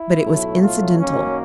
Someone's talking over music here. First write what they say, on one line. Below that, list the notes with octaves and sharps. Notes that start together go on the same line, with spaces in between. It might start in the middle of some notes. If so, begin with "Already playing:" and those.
But it was incidental.
Already playing: E4
B1 A2 F#3 A3
F4
F#2 D#3 F#3 A#3 C#4